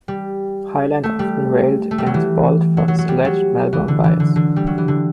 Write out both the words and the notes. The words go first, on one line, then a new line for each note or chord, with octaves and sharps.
Hyland often railed against Bolte for his alleged Melbourne bias.
G3
A3
G3
A3
G3
F#3
E3
F#3
F#3
F#3
G3
F#3
E3
D3
E3
D3
D3
G3
F#3
E3
D3